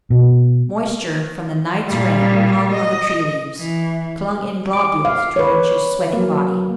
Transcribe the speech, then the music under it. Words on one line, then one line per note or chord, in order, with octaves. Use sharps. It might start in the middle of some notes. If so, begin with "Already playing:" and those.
Moisture from the night's rain hung on the tree leaves, clung in globules to Rynch's sweating body.
B2
A#2 G3
D#5
E3
D6
F5
B4 C#5
F#3 A#3